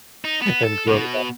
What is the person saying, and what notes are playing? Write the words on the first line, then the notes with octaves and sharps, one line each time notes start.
in growing up.
D#4
B3
A4
B2